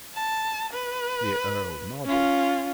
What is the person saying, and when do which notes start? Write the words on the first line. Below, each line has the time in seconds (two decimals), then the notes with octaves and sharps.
The Earl nodded.
0.14 A5
0.73 B4
2.05 C#4 F4